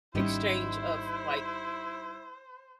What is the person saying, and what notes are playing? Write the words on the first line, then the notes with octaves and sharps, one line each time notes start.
exchange of, like,
G#1 G3 C#4 D#4 E4 G4 C5